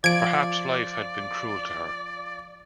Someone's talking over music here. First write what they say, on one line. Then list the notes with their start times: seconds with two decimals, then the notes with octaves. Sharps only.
Perhaps life had been cruel to her.
0.04 F3 D5 G#6 D7